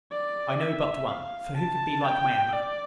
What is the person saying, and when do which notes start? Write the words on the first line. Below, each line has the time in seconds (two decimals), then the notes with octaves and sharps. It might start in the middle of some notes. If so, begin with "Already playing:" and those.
I know but one; for, who can be like my Emma?
0.12 D5
0.60 E5
1.08 F5
1.57 A5
2.05 G5
2.53 D5